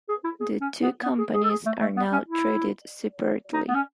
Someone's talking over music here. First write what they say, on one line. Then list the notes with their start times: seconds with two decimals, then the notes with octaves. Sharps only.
The two companies are now traded separately.
0.09 G#4
0.24 E4
0.40 G#4
0.61 C#4
0.82 B3
1.03 B3
1.18 G#4
1.34 G#4
1.44 A4
1.50 G#4
1.66 A3
1.81 A3
1.97 B3
2.12 C#4
2.28 E4
3.53 D#4
3.68 B3
3.74 C#4